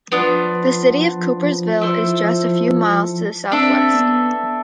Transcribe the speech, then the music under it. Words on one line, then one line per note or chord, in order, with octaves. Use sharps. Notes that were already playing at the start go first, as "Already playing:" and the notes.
The city of Coopersville is just a few miles to the southwest.
F3 B3 D4 F4
E4 A4 C5
C4 D4 A4 E5
B3